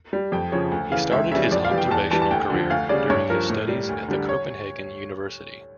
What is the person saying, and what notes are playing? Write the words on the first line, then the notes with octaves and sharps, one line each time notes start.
He started his observational career during his studies at the Copenhagen University.
G3
F2 G5
C#3 F3 C#5
D2
C#3 E3 F5
C#2 E5
C#3 E3 G3 E5
F2 D5
F5
E3 G3
G5
E2 A5
E3 G3 A5
A5
D2 G5
D3 F3
D2 F5
C#3 G3 D5
G2 C#5
F3 A#4
A2
G3
D2
D3 G3
C#5